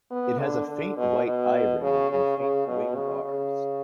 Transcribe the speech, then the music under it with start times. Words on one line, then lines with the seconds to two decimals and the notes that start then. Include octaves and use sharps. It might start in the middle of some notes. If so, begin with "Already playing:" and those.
It has a faint white eye ring and faint wing bars.
0.11 B3
0.40 D3
0.68 D3
0.97 B2
1.25 B2
1.82 C#3
2.11 C#3
2.38 C#3
2.67 B2
2.95 C#3
3.23 C#3